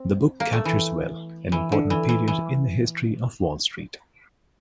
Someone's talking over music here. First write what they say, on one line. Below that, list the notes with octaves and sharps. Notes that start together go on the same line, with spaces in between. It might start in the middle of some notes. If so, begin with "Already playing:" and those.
The book captures well an important period in the history of Wall Street.
Already playing: C4
A#3
A3
E3
E3
D3
E3
E3
E3